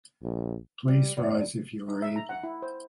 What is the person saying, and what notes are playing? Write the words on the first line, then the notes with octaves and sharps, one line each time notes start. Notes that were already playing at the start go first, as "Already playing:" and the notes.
Please rise if you are able.
A#1
G3
E2 G2
D#4
E5
A#5
F#5
E4
C5